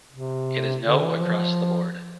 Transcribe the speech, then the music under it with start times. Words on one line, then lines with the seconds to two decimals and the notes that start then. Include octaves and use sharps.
It is 'no' across the board.
0.13 C3
0.85 D3
1.03 E3
1.21 F3